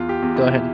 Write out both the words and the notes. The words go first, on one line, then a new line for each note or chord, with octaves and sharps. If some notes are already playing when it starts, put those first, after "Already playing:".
go ahead.
Already playing: E2 F4
G4
E2
E4